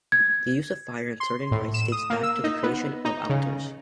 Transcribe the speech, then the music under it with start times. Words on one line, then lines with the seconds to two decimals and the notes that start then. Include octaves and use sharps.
The use of fire in certain rites dates back to the creation of altars.
0.12 G#6
1.20 C6
1.51 A2
1.74 E7
1.92 D#6
2.10 A#3
2.23 E6
2.44 D#4
2.63 B3
3.05 D#4
3.29 C#3